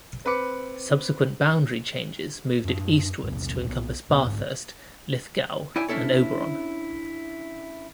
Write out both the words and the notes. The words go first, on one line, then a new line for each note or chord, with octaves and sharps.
Subsequent boundary changes moved it eastwards to encompass Bathurst, Lithgow and Oberon.
C4 B4 B5 D6 C#7
F#2 D4
B1 E2 A2 C3
B1 B3
D1 B2 A3 B3
A#1 G#2
E4 C#5 D5 G5 G#5
C#4 D4 E4 A4 C#5